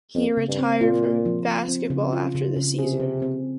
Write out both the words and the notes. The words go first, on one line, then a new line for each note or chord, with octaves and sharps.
He retired from basketball after the season.
F2 C4
C#3
G2
C4
A#2 F4
F4
F3
F4
C4
C#3
F4
C#3
C#3
C3 G#4
C4
C4